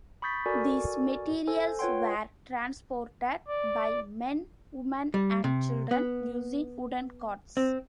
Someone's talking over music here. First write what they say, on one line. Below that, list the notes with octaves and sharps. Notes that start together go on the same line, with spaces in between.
These materials were transported by men, women, and children using wooden carts.
B5 C#6 D#6 G6 A6 B6
F#4 A4 A#4 D5 G#5 C#6
A4 C5 G#5
F4 B4 C#5 F#5 G5 C6
D5
G3
C3
B3
C4